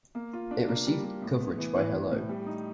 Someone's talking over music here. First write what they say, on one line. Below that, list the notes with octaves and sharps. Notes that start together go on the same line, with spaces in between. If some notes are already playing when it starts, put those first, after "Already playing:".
It received coverage by Hello!
A#3
F4
D4
A#3
G3
G3
A2
B3
E3
E3
E3
A2
G3
D#4